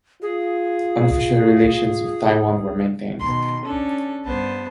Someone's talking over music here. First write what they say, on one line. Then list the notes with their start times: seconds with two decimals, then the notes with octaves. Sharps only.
Unofficial relations with Taiwan were maintained.
0.22 F4 G#4
3.20 B2 D#3 C6
3.65 C#4 D4 A4
4.25 G2 G3 B3 C5 A5